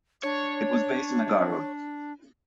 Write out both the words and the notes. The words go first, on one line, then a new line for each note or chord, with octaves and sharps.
It was based in Agaro.
D4 C#5